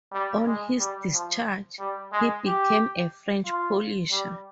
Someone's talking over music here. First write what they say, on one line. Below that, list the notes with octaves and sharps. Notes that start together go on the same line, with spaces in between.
On his discharge, he became a French polisher.
G3
G#3
G3
F3
G3
G#3
G4
F4
G3